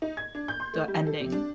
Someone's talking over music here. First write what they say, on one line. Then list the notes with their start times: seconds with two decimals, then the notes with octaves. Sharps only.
the ending.
0.02 D#4
0.17 G#6
0.35 D4
0.48 G6
0.60 C6
0.73 A3
0.88 G3
1.07 A4
1.20 C3
1.32 D4